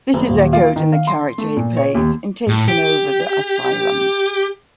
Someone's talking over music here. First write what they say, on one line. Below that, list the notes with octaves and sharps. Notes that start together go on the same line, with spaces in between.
This is echoed in the character he plays in "Takin' Over the Asylum".
F#1
D#1
F4
D#3
F5
C6
A3
A#2
C#5
D#2
A2
G4